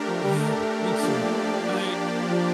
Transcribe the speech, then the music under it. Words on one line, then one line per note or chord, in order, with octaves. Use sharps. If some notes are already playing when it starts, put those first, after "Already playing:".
Yeah, me too. I
Already playing: A3 D4 G4 A#4
F3
G3
A3
F3 A#3 D4 G4 D5
F3